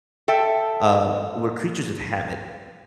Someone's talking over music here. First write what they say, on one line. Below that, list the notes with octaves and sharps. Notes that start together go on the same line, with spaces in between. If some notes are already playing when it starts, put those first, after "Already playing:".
uh, we're creatures of habit,
A4 E5 G5 A5